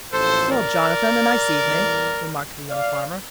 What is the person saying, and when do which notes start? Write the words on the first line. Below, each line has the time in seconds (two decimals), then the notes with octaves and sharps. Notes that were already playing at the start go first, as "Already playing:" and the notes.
"Well, Jonathan, a nice evening," remarked the young farmer.
0.12 A1 A2 F3 A#3 A4 C5
0.49 A#4 D5
1.60 E2 E3 G3 A#3
2.70 D5 F5